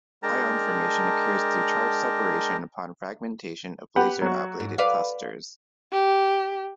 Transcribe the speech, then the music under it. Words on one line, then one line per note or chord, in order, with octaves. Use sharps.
Ion formation occurs through charge separation upon fragmentation of laser ablated clusters.
G#3 D4 A#4 G5 A5 A#5
G4 B4 F#5
F#3 F#4
G#2
B4 D5 F5
G4